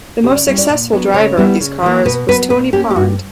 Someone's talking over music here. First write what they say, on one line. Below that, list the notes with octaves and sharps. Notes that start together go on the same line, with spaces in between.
The most successful driver of these cars was Tony Pond.
C#3 G4
C#5
D5
G3 C#4 E4 E5
D5
A#2
F#3 B3 D4
C#3 C#5
G3 B3 E4
C#3
E3 A#3
B2 B4
F#3 B3 B4
A#2 B4
A#3 C#4 G4
G4
G2 F#4